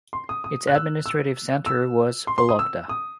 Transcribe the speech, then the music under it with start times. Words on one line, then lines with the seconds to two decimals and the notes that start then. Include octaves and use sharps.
Its administrative centre was Vologda.
0.13 C6
0.29 D#6
0.44 D#6
0.67 F#6
0.75 E6
1.06 E6
1.66 E6
2.27 C6
2.38 C6
2.49 D#6
2.59 E6
2.89 D#6